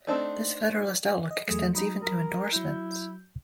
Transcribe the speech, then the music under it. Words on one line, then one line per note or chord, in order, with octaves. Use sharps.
This federalist outlook extends even to endorsements.
A3 C4 D4 D#4
D#5
E2 F#3 A3 G#4
F#3 D#4 B5 D#6
A#4
F#3 E4 G6